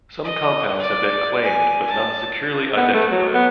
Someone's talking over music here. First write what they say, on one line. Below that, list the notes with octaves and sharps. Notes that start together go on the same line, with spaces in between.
Some compounds have been claimed but not securely identified.
D#5
D5
G#5
A5
B3
A3
F#3
B3